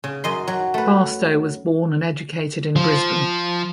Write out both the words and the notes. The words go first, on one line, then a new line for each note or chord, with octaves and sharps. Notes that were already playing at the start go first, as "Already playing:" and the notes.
Barstow was born and educated in Brisbane.
C#3
F#2 D#5 C6
F#3
A3 B4
F3